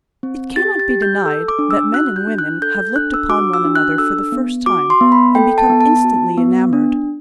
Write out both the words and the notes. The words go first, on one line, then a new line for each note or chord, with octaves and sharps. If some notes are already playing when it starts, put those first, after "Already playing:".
It cannot be denied that men and women have looked upon one another for the first time and become instantly enamored.
C4
G4 A6
A6
G4
G6
A4 E6
D6
D4
E6
F#4 F#6
G6
D4
F#6
A4 G6
D4 F#6
E6
F#4 D6
E6
D4
F#6
A4 E6
B3
F#4 D6
C6
B3
B5
A4 G5
A5
B3
A5
F#4
B3
D4